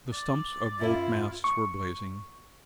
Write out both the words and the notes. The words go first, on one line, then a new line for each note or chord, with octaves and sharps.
The stumps of both masts were blazing.
D5
F#2 E4 F4
C#6